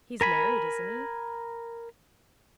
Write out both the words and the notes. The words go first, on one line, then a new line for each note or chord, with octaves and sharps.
'He's married, isn't he?
A#4 G#5 B5